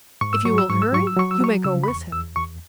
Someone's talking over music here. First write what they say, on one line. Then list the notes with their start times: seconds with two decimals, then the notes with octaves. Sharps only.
If you will hurry, you may go with him!
0.21 G#2 C#6
0.33 E6
0.45 F#3 C#6
0.58 E6
0.69 G#2 C#6
0.82 E6
0.93 F#3 C#6
1.07 E6
1.16 F#3 C#6
1.31 E6
1.40 F#3 C#6
1.64 C#3 E6
1.84 B5
1.88 E2 C#6
2.12 E2 E6
2.36 E2 C#6